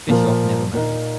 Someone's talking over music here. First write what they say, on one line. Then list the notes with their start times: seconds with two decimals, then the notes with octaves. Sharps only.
Bischoff never married.
0.09 A#2 F3 A#3
0.73 A#2 A#3 D#4